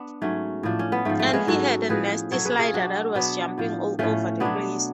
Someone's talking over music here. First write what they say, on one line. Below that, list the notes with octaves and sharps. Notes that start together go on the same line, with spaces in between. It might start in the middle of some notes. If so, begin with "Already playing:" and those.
And he had a nasty slider that was jumping all over the place.
Already playing: B3 D4
G#2 F#3 A3 C#4
A2 F3 D4
C#4
B3
G#2 F3 A3
A3
C#4
G#3 B3
G#2 F#3 F#4 A4
A2 F3 G#4 B4
B2 F#3 A4 C#5
G#4 B4
F4 G#4
B2 F#3 D4 F#4
B2 F#3 B3 D4
A2 F3
A2 F3 A3 C#4
B2 F#3 B3 D4